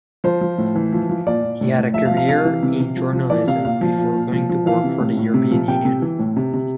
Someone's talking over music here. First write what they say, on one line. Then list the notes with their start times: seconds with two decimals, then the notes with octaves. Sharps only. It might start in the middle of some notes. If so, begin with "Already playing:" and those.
He had a career in journalism before going to work for the European Union.
0.24 F3 C5
0.41 F3
0.58 A2
0.75 E3
0.93 F3
1.09 F3
1.26 A#2 D5
1.43 A#2
1.61 A2
1.78 A2
1.94 F3 E5
2.05 F5
2.11 F3
2.17 F5
2.28 C3 F5
2.45 E3
2.63 C3
2.80 C3
2.96 F3
3.13 F3
3.30 E3 D5
3.47 C3 F5
3.65 A#2 F5
3.81 F3
3.98 A#2
4.16 A#2
4.32 F3
4.49 F3
4.66 E3 F5
4.84 C3
5.00 A2
5.17 A2
5.34 C3
5.51 F3
5.68 C3 G5
5.85 C3
6.02 E3
6.19 A2
6.36 C3
6.54 C3